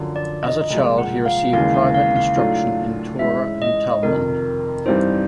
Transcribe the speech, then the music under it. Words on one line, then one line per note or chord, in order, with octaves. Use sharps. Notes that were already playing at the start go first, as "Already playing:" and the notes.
As a child he received private instruction in Torah and Talmud.
Already playing: F#2 D3 F3
D5
D#5
C2 A#2 F3 G#3
F#5
F5
D#2 C#3 E3 G#3 F5
F5
F5
F5
A2 F#3 A3 D4 F4 F5
G#2 E3 G#3 C#4 E4 E5
D#5
F2 C3 D#3 A#4
G2 E3 G3 C4 D#4 C5